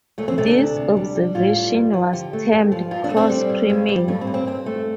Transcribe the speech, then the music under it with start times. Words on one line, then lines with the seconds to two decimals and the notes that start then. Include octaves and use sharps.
This observation was termed "cross-priming".
0.18 D2 A3
0.28 C4
0.38 C3 A3
0.47 D4
0.58 D2
0.76 C3
0.97 G3
1.16 G3
1.35 A2 F4
1.55 G3
1.74 G2
1.93 F3
2.13 D3 G4
2.33 A3
2.53 G2
2.72 F3
2.91 G2 F4
3.04 D4
3.10 A3
3.17 C4
3.29 G3
3.49 G2
3.69 G2
3.89 G3
4.08 G2 A3
4.21 C4
4.27 G2
4.34 C4
4.47 G2 C4
4.66 A3